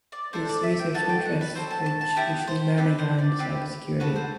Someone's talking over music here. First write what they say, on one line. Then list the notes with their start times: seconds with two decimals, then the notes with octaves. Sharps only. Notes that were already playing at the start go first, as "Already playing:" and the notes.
His research interests bridge machine learning and cybersecurity.
0.12 D5
0.33 D4 A4 C5
0.49 D5
0.63 E5
0.79 G5
0.94 B3 F#4 A4 A5
1.09 G5
1.25 F#5
1.41 B4
1.55 C4 F#4 A4 C5
1.70 A5
1.86 A5
2.01 A5
2.16 B3 E4 G4 G5
2.47 C5
2.77 C4 G4 B4
2.98 C5
3.19 D5
3.39 C4 G4 B4
4.00 B3 F#4 A4 B4
4.16 C5